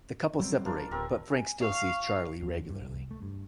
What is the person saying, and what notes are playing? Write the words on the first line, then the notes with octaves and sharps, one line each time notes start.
The couple separate, but Frank still sees Charley regularly.
F#3 G3 C4
A#3 D4 F4
D1 C4 G4 A#4
G#5
F5 C#6
E2
G2
C2
A3
G2